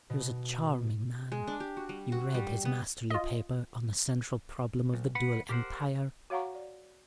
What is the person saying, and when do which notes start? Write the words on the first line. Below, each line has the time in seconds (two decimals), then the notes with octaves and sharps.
He was a charming man; you read his masterly paper on the Central Problem of the Dual Empire?'
0.10 B2
1.32 G#3
1.47 D4
1.60 G4
1.77 F#4
1.89 G3
2.12 F#4
2.34 G3
2.65 B3
3.10 F4 D#5
4.94 B1
5.15 C#2 B4 F#5 B5
5.49 G4 A#4 C5 F#5
6.30 F#4 C#5 F5 F#5 A#5 C#6
6.55 D5